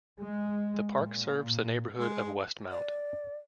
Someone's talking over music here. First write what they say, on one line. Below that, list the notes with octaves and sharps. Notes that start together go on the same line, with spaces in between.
The park serves the neighbourhood of Westmount.
G#3
A#2
G#3
D5